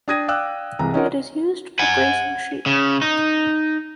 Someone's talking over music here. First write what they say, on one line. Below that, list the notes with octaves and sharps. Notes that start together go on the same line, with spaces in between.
It is used for grazing sheep.
D4 G5 D#6 G#6 A#6 D#7
D5 F5 G5 D6 E6 F#6
C2 E3 G#3 A#5
C#4 D#4 F4 A#4 F#5
F#5 G#5
C#3
D#4